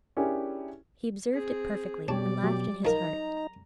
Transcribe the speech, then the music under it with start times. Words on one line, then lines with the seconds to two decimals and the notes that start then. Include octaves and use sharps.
He observed it perfectly, and laughed in his heart.
0.17 C#4 D4 E4 G4 G#4 A#4
1.33 C4 G#4
2.08 B2 G3 D4 G4 C#5 D5
2.43 F#3 G4
2.85 F3 D#4 A#4 A#5